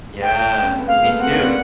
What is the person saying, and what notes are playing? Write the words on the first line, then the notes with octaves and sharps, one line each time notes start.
Yeah, me too,
G#3
A3 G5
C#4
C4
B3
G#3 A#3 F5
A3 B3
A#3 C4 F#5
B3 C#4
C4 D4